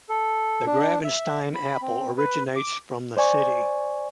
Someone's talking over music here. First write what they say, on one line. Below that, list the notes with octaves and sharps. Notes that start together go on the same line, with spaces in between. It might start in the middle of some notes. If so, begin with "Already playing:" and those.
The Gravenstein apple originates from the city.
A4
D4
E5
B5
C4
B4
D6
C5 D5 G#5 C#6